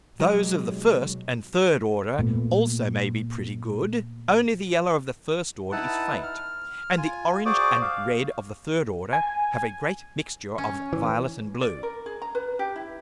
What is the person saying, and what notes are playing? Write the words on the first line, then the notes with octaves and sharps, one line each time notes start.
Those of the first and third order also may be pretty good; only the yellow of the first order is faint, and the orange and red of the third Order have a great Mixture of violet and blue.
B1 F#3 G#3 G4
A#2 A3 B3
D#4 E4 B4 F#5 A5
F6
F4 G#5
F#4 G#4 C5 D5 D6
F5
G#5
C#4
E3
D5
A#4
G#4
A#5
B4
G4
E4